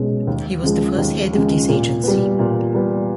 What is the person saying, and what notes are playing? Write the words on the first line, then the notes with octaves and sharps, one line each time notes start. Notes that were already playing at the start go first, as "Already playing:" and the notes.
He was the first head of this agency.
Already playing: B1 B2 G#3 C#4
D#2
C#3 F3 G#3
D#2
C#3 F3 G#3
A#2
G3 B3
A#2
G3 B3